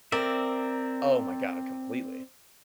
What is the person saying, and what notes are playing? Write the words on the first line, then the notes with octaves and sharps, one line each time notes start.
Oh my god, completely.
C4 A#4 D5 E5